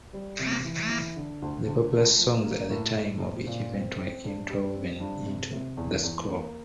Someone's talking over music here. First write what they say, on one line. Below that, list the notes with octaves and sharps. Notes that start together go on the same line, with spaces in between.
The popular songs at the time of each event were interwoven into the score.
G3
C3
E3
E3
D3
D2
D2
A3
F3
A#3
A2
A2
C4
A#2
C4
C4
G2
G3
C4
G2
C3
C3
E2
E2
A#3